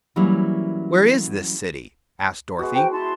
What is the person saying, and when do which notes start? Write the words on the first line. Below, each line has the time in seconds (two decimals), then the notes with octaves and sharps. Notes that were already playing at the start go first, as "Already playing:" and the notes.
"Where is this city?" asked Dorothy.
0.16 E3 F#3 G3 A#3 C#4 E4
2.59 G#3 B3 F#4
2.74 C5 G5 A5
2.91 E4 A5 C6